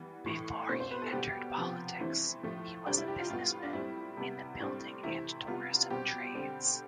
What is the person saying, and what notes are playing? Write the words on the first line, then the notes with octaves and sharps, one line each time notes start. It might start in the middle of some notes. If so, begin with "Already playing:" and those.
Before he entered politics, he was a businessman in the building and tourism trades.
Already playing: E3 G3 B3
A2 E3 A3
B2 A3 C4 C5
C5
B4
A4
B2 G3 B3 G4
C3 F3 B3
E3 A3 C4 E4
A2 F3 A3
C3 G3 C4 D4
E4
G4
F4
A2 G3 B3 F4
D4
A2 G3 C4 E4
C3 G3 B3
A2 G3 C4 D4
C3 E3 A3 C4 E4
C3 G3 B3 F4
B2 G3 C4 G4
D3 G3 C4